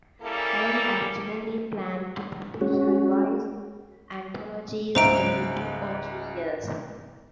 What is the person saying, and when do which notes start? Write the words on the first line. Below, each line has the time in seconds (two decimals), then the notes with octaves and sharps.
Allen originally planned to publish revised anthologies every two or three years.
0.21 C#3 G3 A#3 E4 A4
2.61 G#3 C#4 F#4
4.95 C#2 G#2 C5 E5 A#5 D7